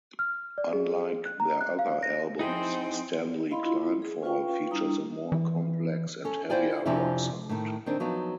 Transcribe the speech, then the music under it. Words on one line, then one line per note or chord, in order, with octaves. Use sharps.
Unlike their other albums, "Stanley Climbfall" features a more complex and heavier rock sound.
F6
D5
G#4
F#6
A#5
F#6
F5
A#6
F3 C4 D#4 E4 G#4 C5 G5
E4 D#5 F5 B5 C6
E4 F4
G#4
C#4 F4 B4 F5 G5 C#6
G3 D4 E4 A#5 D#6
E3
C#4 A4
E4 F4 C5 D5 G5 G#5
F2 C3 F3 C#4 D4 E4
A2 D#3
D#3 C4 D4
F3 F#3 B3 D#4